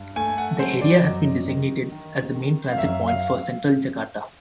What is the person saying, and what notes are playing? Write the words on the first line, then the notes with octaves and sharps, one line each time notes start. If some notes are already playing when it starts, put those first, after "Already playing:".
The area has been designated as the main transit point for Central Jakarta.
Already playing: G2
A3 G#5
F#5
F#3 C5
D5
F#2 D#5
D#3
D#3
D#3
F5
F#2 E5
F5